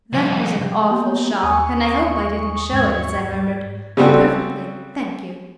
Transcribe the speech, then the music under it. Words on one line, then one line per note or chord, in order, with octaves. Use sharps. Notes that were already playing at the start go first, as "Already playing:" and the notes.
That was an awful shock, and I hope I didn't show it as I murmured "Perfectly, thank you."
C2 F2
A#3 B3 G4
D#2 G#5 C#6 D#6
G#2 G#6
C#3 G3 C4 F#4 A4